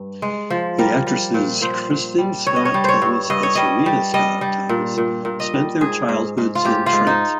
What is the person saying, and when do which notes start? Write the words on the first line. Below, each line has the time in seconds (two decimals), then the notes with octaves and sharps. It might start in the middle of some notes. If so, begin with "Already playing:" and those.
The actresses Kristin Scott Thomas and Serena Scott Thomas spent their childhoods in Trent.
Already playing: G2
0.22 G#3
0.50 F3
0.78 G3 A#4
1.07 G3
1.34 A#2
1.62 A#2 C5
1.90 A#2
2.18 G3
2.47 G2 C#5
2.56 D#5
2.65 C#5
2.74 G3
2.84 C5 C#5
3.02 G2
3.30 G2 D#5
3.43 C#5
3.55 G3 D#5
3.86 G3
4.14 G3 D#5
4.41 G3
4.69 A#2
4.98 A#2
5.25 A#2
5.40 D#5
5.54 G3
5.81 G#2 G#4
6.09 G#2
6.38 G#2
6.55 F4
6.65 G#2 G4
6.86 F4
6.93 G#2
7.07 D#4